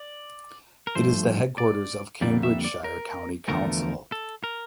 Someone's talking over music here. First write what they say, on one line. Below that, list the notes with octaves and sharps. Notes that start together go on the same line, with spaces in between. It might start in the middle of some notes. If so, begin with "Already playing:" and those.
It is the headquarters of Cambridgeshire County Council.
Already playing: D5
A#4
G2 F3 A3 C5
D5
F2 D3 G3 A#3 D5
E5
D5
A#4
E2 D3 F3 A3 A#4
A4
A#4